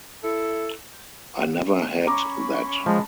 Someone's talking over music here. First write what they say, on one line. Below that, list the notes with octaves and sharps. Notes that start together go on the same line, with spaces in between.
I never had that.
E4 A4
C#4 A#5 B5 C#6 D6
F3 G#3 A5